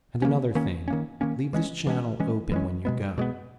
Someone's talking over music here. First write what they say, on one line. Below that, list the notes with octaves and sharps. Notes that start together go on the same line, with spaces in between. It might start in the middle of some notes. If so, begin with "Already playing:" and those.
And another thing, leave this channel open when you go.
D#3 A#3 C#4
D#3 A#3 C#4
D#3 A#3 C#4
D#3 A#3 C#4
E3 G#3 C#4
E3 G#3 C#4
E3 G#3 C#4
E3 G#3 C#4
B2 G#3 B3
B2 G#3 B3